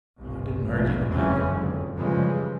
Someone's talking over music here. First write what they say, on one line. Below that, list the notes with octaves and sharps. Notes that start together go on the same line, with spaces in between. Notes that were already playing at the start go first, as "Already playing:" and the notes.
I didn't argue the matter.
G1 C2 A#2
A#1 E2 G#2 B2 A3
F#1 F2 C3 E3 G#3 C#4
F#1 F2 G#2 D3
G#2 C#3 E3 F3 G3 G#3